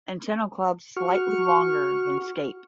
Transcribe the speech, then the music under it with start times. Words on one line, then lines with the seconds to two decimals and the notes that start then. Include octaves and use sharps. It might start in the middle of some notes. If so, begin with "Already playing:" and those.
Antennal club slightly longer than scape.
0.96 F#4 C#6 F6